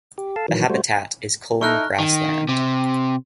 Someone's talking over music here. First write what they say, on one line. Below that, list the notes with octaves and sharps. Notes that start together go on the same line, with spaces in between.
The habitat is culm grassland.
G4
A4 F5 A5
D#3 E3 F#3
G3 A3 F#4 C5
D#4 E4 A4 C#6 F6 F#6
D#3
C3